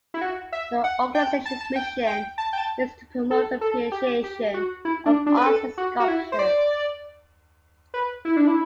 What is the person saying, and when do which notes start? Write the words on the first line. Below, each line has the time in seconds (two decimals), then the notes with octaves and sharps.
The organization's mission is to promote the appreciation of arts and sculpture.
0.14 E4
0.21 F#4
0.52 E5
0.84 F#5
1.15 G5
1.46 A5
1.61 A5
1.76 G5
2.07 G5
2.38 A5
2.53 G5
2.58 A5
3.31 A4
3.61 A4
3.92 G4
4.24 G4
4.54 F#4
4.85 E4
5.06 D4
5.26 D4
5.37 B4
5.46 A4
5.78 F#4
6.00 F#4
6.08 E4
6.32 C5
6.39 D5
7.94 B4
8.25 E4
8.37 D4
8.47 E4